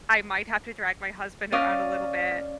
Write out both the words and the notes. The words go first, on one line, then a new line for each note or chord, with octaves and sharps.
I might have to drag my husband around a little bit
C#4 D5 D#5 F5